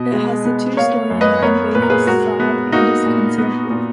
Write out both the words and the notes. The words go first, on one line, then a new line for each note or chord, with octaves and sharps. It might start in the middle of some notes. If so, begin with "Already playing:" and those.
It has a two-storey, nine-bay facade and concealed roof.
Already playing: B2 B3 D#5
G#3
B3
A#3 C#5 F5
F#2
B4 D#5
B3 A#4 C#5
A#2 B4
A#4
G#4 B4
G#3 F#4 A#4
B3
A#3 D#4 F#4
A#2
B3
A#2